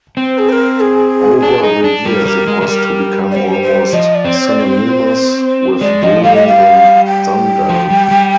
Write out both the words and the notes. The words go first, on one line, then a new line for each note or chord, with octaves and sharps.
Over the years it was to become almost synonymous with brewing in Dundalk.
C4 C5
G#4
C5
A#4
G#4
D4
D#4
D4
G3 A#4
G3
G#3
G#3
G3
D5
C5
C5
F3 D#5
D5
C4
C5
D5
C5
G#3 D5
F3 D#5
G3 F5
D#5
F5
G5
F3
G3
G3